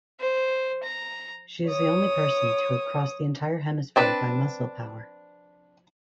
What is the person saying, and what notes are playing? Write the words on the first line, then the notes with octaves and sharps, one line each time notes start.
She is the only person to have crossed the entire hemisphere by muscle power.
C5
A#5
C#5 D#6
C4 D4 B4